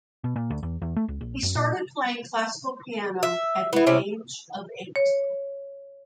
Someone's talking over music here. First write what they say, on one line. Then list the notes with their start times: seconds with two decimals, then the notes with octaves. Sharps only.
He started playing classical piano at the age of eight.
0.24 B2
0.36 A#2
0.50 D2
0.63 E2
0.82 E2
0.96 A3
1.08 C#2
1.21 A#1
1.43 F#2
1.55 A#2
3.23 E5
3.73 E3 B3 E4
3.87 C3 C#4
4.96 C#5